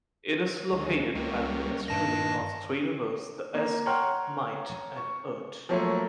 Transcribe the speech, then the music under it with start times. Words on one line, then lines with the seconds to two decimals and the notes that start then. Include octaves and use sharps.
It is located at the estuary of three rivers: the Esk, Mite and Irt.
0.71 D2 D#3 G#3
1.15 C#2 G3 A#3 C#4
1.88 G2 A#2 D#3 A5 A#6
3.54 A#3
3.86 C#5 F#5 G5 A#5 C6 F6
4.96 C#6
5.69 F3 F#3 A3 A#3 A4 C#5